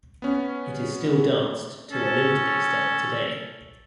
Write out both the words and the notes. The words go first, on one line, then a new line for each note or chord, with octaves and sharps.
It is still danced to a limited extent today.
B3 C#4
C#4 A4